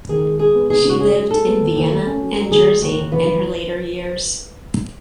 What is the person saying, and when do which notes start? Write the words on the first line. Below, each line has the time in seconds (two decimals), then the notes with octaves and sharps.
She lived in Vienna and Jersey in her later years.
0.09 D#3 G#4
0.25 G#3
0.39 G#3 G#4
0.55 B3
0.70 F#1 G#4
0.85 C#3 F#4
1.00 F#2 G#4
1.15 F#2
1.31 G#3 A4
1.46 B3
1.61 D#2
1.76 D#2
1.91 A3
2.06 C#4
2.21 F#3
2.36 F#3
2.51 D#2 G#4
2.67 G#3
2.82 D#2 F#4
2.97 D#2
3.12 E3 B3
3.27 E3